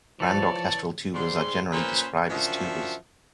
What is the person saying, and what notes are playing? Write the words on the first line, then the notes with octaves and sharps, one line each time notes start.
Grand orchestral tubas are generally described as tubas.
E3 F3 A4 C#5 D5 A5
G#2 G3 C6
A#2 C#4 B4 C5
F#2 F3 D4 F#4 E5 G5